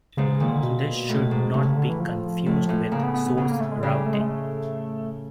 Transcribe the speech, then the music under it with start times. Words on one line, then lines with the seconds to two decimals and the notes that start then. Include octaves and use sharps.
This should not be confused with source routing.
0.17 G#2 C#3
0.28 C#3
0.40 A#2 D#3
0.52 D3
0.63 B2
1.09 A2
1.31 G#2
1.54 A2 C3
1.65 C#3
1.77 D3
1.89 E3
2.00 F3
2.46 A2
2.69 A2
2.92 C#3 A#3
3.03 B3
3.14 B3
3.26 B3
3.37 C#3 B3
3.49 A#3
3.60 A3
3.71 G#3
3.83 C#3 G3
4.06 A3
4.13 G#3
4.21 A3